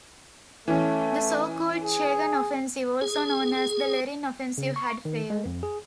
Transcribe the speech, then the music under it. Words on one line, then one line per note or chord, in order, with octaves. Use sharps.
The so-called Chegan Offensive, also known as the Lerin Offensive, had failed.
E3 A3 C#4
G#4
G#4
C#3
C#6
D#3
G#3
F2
G#4